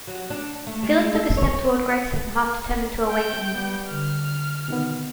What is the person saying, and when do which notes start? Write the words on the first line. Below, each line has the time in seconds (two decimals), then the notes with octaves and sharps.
Philip took a step toward Gregson, half determined to awaken him.
0.07 F#3
0.30 D4
0.67 A3
0.83 G#3
1.15 A4
1.37 C#5
3.07 G5 G6
3.53 G3 B3
3.89 D3 F6
4.68 B2 D#3 B3